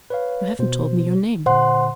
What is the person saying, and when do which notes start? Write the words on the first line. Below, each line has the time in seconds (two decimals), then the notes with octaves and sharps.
"You haven't told me your name."
0.10 B4 C#5 F5
0.59 B2 C5
1.46 A#2 D3 C5 F#5 C6